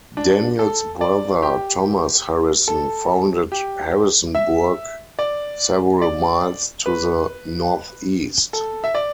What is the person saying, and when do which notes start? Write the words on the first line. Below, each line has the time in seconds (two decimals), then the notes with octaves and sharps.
Daniel's brother Thomas Harrison founded Harrisonburg several miles to the northeast.
0.17 D4
0.59 A4
1.01 D5
1.43 G4
2.68 A4
3.52 G4
4.35 E5
5.19 D5
6.02 D5
6.86 B4
8.53 A4
8.84 E5
8.95 D5